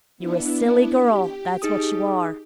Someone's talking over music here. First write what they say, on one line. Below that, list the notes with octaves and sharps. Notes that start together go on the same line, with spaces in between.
You're a silly girl, that's what you are!'
B3 D4 E4
G4
D#4 G#4 D#6